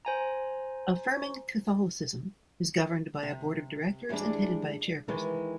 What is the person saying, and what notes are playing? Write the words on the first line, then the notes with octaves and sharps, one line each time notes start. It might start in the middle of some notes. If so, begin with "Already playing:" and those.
Affirming Catholicism is governed by a board of directors and headed by a chairperson.
C5 G#5 A#5
C3
G#2 E3 G3 G#3 D4
D#3 E3 G#3